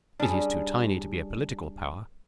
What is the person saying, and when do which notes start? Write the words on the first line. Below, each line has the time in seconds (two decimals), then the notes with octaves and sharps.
It is too tiny to be a political power.
0.20 G3 C#4 D4 G#4